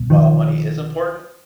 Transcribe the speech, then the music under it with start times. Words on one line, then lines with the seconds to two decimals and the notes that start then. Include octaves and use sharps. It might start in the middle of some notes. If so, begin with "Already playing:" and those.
while money is important
Already playing: C2 B2
0.10 D#3 F3